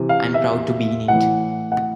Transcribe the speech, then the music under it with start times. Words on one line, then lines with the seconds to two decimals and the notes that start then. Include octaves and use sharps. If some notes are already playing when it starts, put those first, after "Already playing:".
I'm proud to be in it.
Already playing: C3 E3
0.09 F5
0.34 E5
1.08 A2 E3 F#5
1.72 F#5